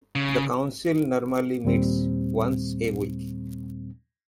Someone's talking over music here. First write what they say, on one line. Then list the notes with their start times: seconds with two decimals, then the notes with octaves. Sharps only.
The Council normally meets once a week.
0.15 C#3
1.65 D#2 A#2 G3 C4